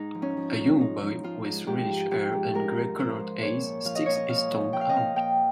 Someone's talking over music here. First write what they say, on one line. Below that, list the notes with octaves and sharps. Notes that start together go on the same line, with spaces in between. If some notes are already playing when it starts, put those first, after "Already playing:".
A young boy with reddish hair and gray colored eyes sticks his tongue out.
Already playing: G#2 D#4
F3
C#4
F3
F4
G#2
G#2 D#4
F3
F3 F4
G#2
G#2 G4
F3
F3 G4
G#2
G#2 A#4
F3
F3 C5
G#2
A#2 C#5
F3
F3 F5
D#5
A#2 C#5
D#5
A#2 F5
F3
F3 G5
F5
D#5
A#2 F5
A#2 G5